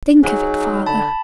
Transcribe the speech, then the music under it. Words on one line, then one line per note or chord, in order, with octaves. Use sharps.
Think of it, father.
F#3 D#4 G#4
D3 A5 B5